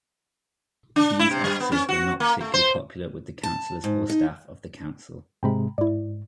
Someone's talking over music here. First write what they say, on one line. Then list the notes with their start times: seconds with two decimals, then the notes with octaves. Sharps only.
These offices were not particularly popular with the councillors or staff of the council.
0.96 D4
1.19 E4
1.31 C3
1.44 G3
1.60 B3
1.72 C#4
1.89 F#4
2.20 A#3
2.41 A3
2.54 C5
3.43 A5
3.84 G#2
4.10 D#4
5.43 G#2 C3 G#3 G5 A#5 B5
5.78 G#2 E4 D5